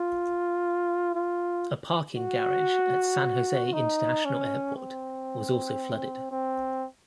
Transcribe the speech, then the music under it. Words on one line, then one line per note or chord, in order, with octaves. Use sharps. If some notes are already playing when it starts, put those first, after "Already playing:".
A parking garage at San Jose International Airport was also flooded.
Already playing: F4
F4
F#4
D#4
C#4
C4
C4